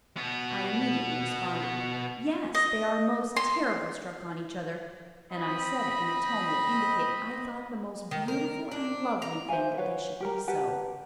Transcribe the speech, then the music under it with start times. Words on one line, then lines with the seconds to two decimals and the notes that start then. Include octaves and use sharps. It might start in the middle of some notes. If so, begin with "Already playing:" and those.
I immediately responded, "Yes, they are most terrible struck on each other," and I said it in a tone that indicated I thought it a most beautiful and lovely thing that they should be so.
0.17 B2 B3
2.55 D#5
3.36 C6
5.32 C4 D#5 B5
8.11 D#3
8.28 A#4
8.72 D4
9.22 A#5
9.48 C5 E5 F5 G#5
9.78 B4 C#5 F5 F#5
10.20 G4 A#4 A#5
10.48 G4 B4 F#5 A5